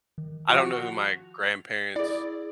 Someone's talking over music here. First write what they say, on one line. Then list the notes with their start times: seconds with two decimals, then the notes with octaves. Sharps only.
I don't know who my grandparents'
0.18 D#3
0.50 F3 F#4 F7
1.96 E4 G#4 D5